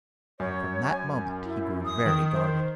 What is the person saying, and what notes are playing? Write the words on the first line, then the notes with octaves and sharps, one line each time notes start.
From that moment he grew very guarded.
F#2 C#5
G#5
E4
D#6
D#3
C5